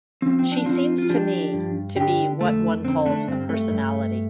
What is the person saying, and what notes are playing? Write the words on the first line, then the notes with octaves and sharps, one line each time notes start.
She seems to me to be what one calls a personality.
F3 C4
C4
D4
F3 C4 F4
F4
F3 D4 G4
G2
D3 D4 G4
F2 A3
D3 C4
A3 D4
G2 C4
A3
G2